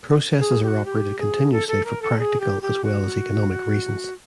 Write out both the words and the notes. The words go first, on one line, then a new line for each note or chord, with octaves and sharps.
Processes are operated continuously for practical as well as economic reasons.
G#4
G4
F#4
G4
G#4
A4
A4
A#4
A4
G#4
G4
G4
F#4